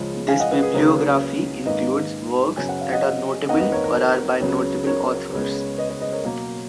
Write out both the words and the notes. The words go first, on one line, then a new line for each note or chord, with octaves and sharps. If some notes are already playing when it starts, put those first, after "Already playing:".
This bibliography includes works that are notable or are by notable authors.
Already playing: C#2 C#3 F3 G#3
F5 G#5
D#5 F#5
B4 D#5
G#4 B4
C#2 C#3 F#3 A#3 G#4 B4
G#2 D#3 A#3 B4 D#5
F#2 C#3 F#3 B3 G#5
F#5
F5
D#5 F#5
F2 D#3 A#3 D#5 F#5
B4 D#5
A#4 C#5
A#4
A#4
C#2 C#3 F#3 B3
A#4 C#5
C#2 C#3 G#3 B3
B4 D#5
B4 D#5
B4 D#5
A#4 C#5
B2 F#3 A#3